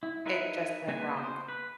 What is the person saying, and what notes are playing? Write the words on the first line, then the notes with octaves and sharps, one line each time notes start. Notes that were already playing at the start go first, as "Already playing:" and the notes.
it just went wrong,
E4
D#4 E4 A#4 B4 E5
C#3 A#3 B4 G#5
C5
B4